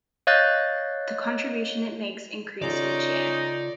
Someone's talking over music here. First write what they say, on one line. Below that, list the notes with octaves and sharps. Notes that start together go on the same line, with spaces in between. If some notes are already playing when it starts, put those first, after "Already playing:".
The contribution it makes increase each year.
C#5 D#5 F5 F#6 G6 A6
C#3 C#4 D#4 F4 A4 D5